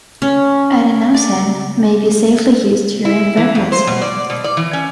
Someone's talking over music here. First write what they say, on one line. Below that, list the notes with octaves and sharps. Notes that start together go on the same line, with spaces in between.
Adenosine may be safely used during pregnancy.
C#4
D5
E4
E3
F2
C5
B2
D5
B2
D5
E3
C#4